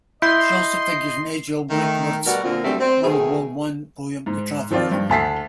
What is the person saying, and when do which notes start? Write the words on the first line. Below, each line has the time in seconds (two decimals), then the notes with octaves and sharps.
She also figures in Edgell Rickword's World War One poem "The Traveller".
0.22 E4 D#5 C6 G6
1.70 D#3 A3
2.26 B2 G3 F#4 A#4 D5 F#5
2.43 A#2 D3 A#3 C4 F4
2.64 F#2 B2 G3 A3 C4 D4
2.80 C4
3.03 B2 D#3 A3 G#4
4.26 G#2
4.71 D#3 F3 C4 F4 D5
4.91 G2
5.09 D2 A5 B6 C7